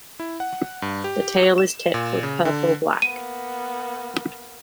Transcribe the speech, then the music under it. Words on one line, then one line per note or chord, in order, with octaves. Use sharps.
The tail is tipped with purple-black.
E4
F#5
G2
G4
E7
A#2
C#3
D3
A#3 B3 D#7